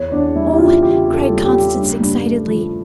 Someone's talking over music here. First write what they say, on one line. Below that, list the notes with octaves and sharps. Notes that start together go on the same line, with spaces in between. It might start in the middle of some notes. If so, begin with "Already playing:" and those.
"Oh," cried Constance excitedly.
Already playing: E2 C#5
E2 D4
G3 E4
G4
C#3 F4
E2 G4
E2
A4
G3
G4
C#3
G2
G2
A3
F3